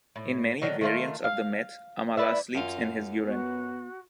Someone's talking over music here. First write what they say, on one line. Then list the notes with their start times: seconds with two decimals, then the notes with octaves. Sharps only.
In many variants of the myth, Amala sleeps in his urine.
0.16 A2
0.62 D3 D#3 F#3
0.81 D#3 A3 F4
1.24 F5
2.17 E4 B4 D5 E5
2.55 F#2 F4
3.25 B3 F#4